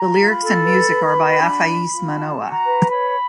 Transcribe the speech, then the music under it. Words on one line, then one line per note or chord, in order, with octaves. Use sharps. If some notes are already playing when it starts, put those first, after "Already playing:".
The lyrics and music are by Afaese Manoa.
Already playing: A#5
F4
B5
A4
B4
B4
F#4
D4
F4
F4
F#4 A5
F#4
A#5
B4
C#5 B5